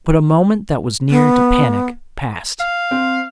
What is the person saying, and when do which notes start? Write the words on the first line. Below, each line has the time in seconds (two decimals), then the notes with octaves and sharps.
But a moment that was near to panic passed.
1.10 B3
2.60 F5
2.91 C4